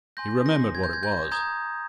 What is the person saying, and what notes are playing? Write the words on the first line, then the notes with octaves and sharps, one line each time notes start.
He remembered what it was.
G#5 C6 G6 A#6
A#6
G#6
G6
G#6
G6
A#5 D#6 G6 G#6